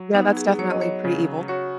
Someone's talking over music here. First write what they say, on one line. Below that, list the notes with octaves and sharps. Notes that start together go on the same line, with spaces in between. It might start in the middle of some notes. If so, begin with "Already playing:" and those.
Yeah, that's definitely pretty evil.
Already playing: F#3
B3 D#4
G#4
F#3 C#5
D#5
C#5
C#3
F#4 C#5